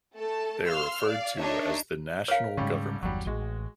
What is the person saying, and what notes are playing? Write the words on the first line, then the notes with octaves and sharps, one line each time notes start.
They are referred to as the "National Government".
A3 A4 A5
F5 C6 E6 F6
D5 F5
D4 D#4 A#4 C#5 D#5 E5
A#4 C#5 F5 F6
G#1 G#2 C#3 G3 C#4
G1 E2 F#3 G3
A1 G#3 F#4